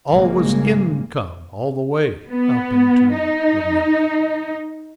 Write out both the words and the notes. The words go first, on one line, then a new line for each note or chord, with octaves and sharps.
All was income, all the way up into the millions.
G#1 C#3 G3 G#3 A#3
B3
D#4